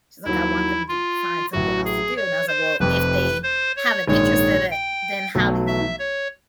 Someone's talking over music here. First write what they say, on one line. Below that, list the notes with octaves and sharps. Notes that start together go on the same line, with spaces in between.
She's like, "I want them to find something else to do." And I was like, "Well, if they have an interest in it, then how do you"
D#2 D#3 F#3 E4
F4
A1 A2 F#3 F#4
G#4
C#5
C5
F1 F2 C3 B4
C5
C#5
A#1 G#2 D#3 G#3 C#5
G5
B1 B2 F#3 A3
E5
C#5